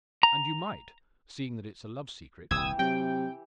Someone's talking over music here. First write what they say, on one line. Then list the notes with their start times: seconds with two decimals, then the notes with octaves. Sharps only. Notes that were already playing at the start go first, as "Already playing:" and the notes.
And you might--seeing that it's a love secret!
0.23 A#5
2.51 D#1 C2 E3 G4 D#6 E6 G#6
2.79 C3 F#3 G5